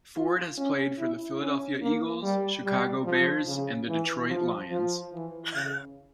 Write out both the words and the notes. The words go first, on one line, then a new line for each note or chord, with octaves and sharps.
Ford has also played for the Philadelphia Eagles, Chicago Bears and the Detroit Lions.
F4
C#4
E4
C#4
A#3
G3
G3
F3
C#3
E3
F3
F3
E3
C#3